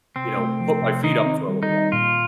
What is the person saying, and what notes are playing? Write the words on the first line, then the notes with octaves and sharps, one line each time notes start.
you know, put my feet up for a little while.
C3 C4
A3
F3
C3
D#3 D#4
C4
G3
D#4
D#3
A#2 F4